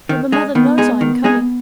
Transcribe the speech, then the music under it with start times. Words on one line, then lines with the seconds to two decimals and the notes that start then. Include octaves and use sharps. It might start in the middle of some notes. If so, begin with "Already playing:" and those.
But my mother knows I am coming?'
0.09 D#3
0.32 G#3 D#4 G#4
0.55 D#3 B3
0.78 G#3 D#4 G#4
1.01 D#3
1.24 G#3 D#4 G#4